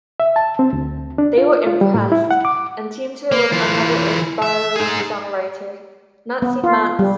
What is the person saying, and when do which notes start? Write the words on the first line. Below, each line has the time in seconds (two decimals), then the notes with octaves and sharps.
They were impressed, and teamed her with another aspiring songwriter, Nancie Mantz.
0.20 E5
0.36 A5
0.59 C4
0.73 D2
1.18 D4
1.38 F4
1.67 F4
1.81 G3
1.94 A2
2.12 E4
2.31 F#5
2.45 D6
3.32 A#3
3.52 E3 F4
4.42 E5
4.76 D#4 G#4
6.42 B3
6.64 F4
6.99 G3